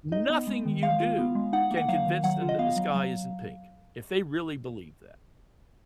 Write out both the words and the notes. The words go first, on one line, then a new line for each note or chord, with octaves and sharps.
nothing you do can convince them that the sky isn't pink, if they really believe that.
D#4 D#5
B3
G#3
D#3
G#3 F5
F4
B3
G#3
D#4 F#5
A#3
F#5
F#3 F5
D#3
F#3 F#5
F4
D#5
B3 F5
F#3
F#3